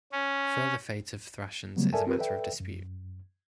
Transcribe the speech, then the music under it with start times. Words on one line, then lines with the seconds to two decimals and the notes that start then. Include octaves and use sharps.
Further fate of Thracians is a matter of dispute.
0.12 C#4
1.76 C#3 F#3 G3 A3 B3
1.93 A4 A#4 D5 E5 G#5 A5
2.07 C4 F4 G4 A#4 B4
2.19 A4 B4 D5 E5 G5
2.60 F#2